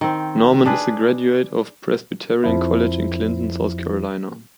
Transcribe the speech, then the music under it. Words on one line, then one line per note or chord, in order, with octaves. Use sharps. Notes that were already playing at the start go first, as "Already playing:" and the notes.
Norman is a graduate of Presbyterian College in Clinton, South Carolina.
D#3 C4
D4 G#4 B4
F2 F3 E4